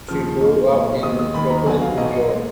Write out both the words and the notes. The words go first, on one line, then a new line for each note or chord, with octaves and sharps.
She grew up in Brooklyn, New York.
D#2 C#3 F3 F6
B1 A#2 G#3
B1 A#2 G#3
D#2 D#3 G#3 D#6
D#6
D#2 D#3 G#3 B5
A#5
B1 B2 F#3 G#5
F5
B1 B2 F#3 D#5
D#5
A#2 G#3 D#5